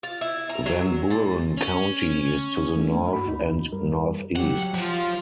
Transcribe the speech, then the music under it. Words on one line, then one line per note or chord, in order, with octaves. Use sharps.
Van Buren County is to the north and northeast.
F4
E4
A#5
F#3
A#2
C#4
A3 A#3 C#4 D4
G2 F#4 B5
D2 D#4
F#2 G3 A#4
F#3 G4 F#5
F3 F4